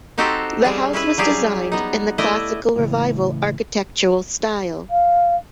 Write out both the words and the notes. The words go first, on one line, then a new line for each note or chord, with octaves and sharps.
The house was designed in the Classical Revival architectural style.
C4 D#4 F#4 G4 A4 C5
G3 G#4
C#4 E4 G#4 B4
F#3 G3 G4 G#4
B3 D#4
A3 E4 D5 D#5
A2 C#3 E3
F5